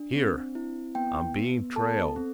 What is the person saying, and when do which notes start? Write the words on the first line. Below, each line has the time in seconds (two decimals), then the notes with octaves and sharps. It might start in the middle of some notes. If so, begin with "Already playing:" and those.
"Here, I'm being trailed."
Already playing: D4
0.15 C4
0.55 E4
0.95 B3 G5
1.36 B3
1.76 A4 A5
2.16 C4